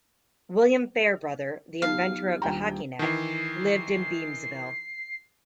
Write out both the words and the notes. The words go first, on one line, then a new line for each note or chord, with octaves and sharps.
William Fairbrother, the inventor of the hockey net, lived in Beamsville.
F#3 B3 D#4 F4 G4 F5
D#1 D4 G4 G5 A#5
D#3 E3 C7